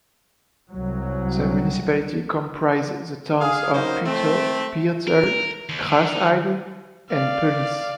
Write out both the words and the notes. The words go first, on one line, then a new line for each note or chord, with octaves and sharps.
The municipality comprises the towns of Putte, Beerzel, Grasheide and Peulis.
C2 F#3
G#4 F5
F#3 A#3 D#4 C5
A3 C4
A#4
D#2
D#3
D5 F5